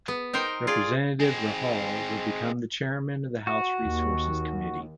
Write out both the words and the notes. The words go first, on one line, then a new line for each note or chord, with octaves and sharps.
Representative Rahall will become the Chairman of the House Resources Committee.
B3
D#4 A#4 C5 G5
F4 G#4 D5
G#3 C4
F#4
D#2